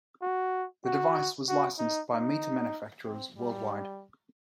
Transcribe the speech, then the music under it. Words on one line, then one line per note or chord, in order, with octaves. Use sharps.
The device was licensed by meter manufacturers worldwide.
F#4
F#4
F#4
D#4
D#4
C4
G3